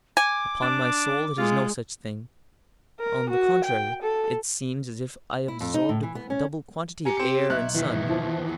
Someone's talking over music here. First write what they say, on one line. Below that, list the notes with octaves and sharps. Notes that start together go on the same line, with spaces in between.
Upon my soul, it is no such thing, on the contrary, it seems as if I absorbed a double quantity of air and sun.
G#5 D6
D4
G#3 F4
A#4
F#4
G5
A4
E4
F2
D#4
A2
E3
B3
C#4
G4 G#5 A#5 C#7
C4 C#7
B1 E5 F#6
E2 D#3 E3 E5 B6
E3 F3